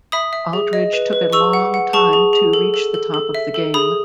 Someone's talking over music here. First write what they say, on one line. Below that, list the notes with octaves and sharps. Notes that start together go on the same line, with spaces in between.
Aldridge took a long time to reach the top of the game.
E5 B5 D#6
E5
G#4
D#5
B4
B4
G#4 C#6 E6
F#5
F#5
G#4 A5 C#6
G#4
G#4
A4
A4
A4
A4
E5
A4
G#4 B5 D#6